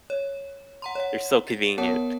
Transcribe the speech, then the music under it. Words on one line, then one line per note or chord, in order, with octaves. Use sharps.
they're so convenient,
C#5
F#5 A#5 C6
C#5 F#5
A6
B3 A#4 C#5 F#5 A5